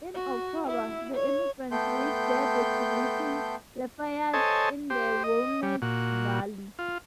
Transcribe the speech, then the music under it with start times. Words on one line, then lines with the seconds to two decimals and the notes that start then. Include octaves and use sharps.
In October, the emigrants reached their destination, Lafayette, in the Willamette Valley.
0.14 F#4
0.66 E4
1.14 C#5
1.71 A3 B3 A4 G5 C6 G6
4.33 A4 C5 C#5 D#5 G#5 A5
4.90 G4 C5
5.24 D#5
5.63 G3
5.82 A#2 F#4
6.79 F4